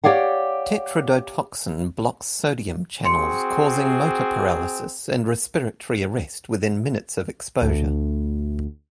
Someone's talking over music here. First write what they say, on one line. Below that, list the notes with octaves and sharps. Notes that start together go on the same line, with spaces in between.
Tetrodotoxin blocks sodium channels, causing motor paralysis, and respiratory arrest within minutes of exposure.
G4 G#4 C#5 D5 F5 F#5
C4 F#4 G#4 C6 C#7
D2